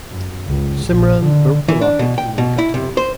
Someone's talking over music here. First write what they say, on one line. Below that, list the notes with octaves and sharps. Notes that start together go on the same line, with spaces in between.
Simran broke the locket in the nick of time.
F#2
C#2
A#1
D3
E3
D4
B2
G5
B2
E4
C3
C5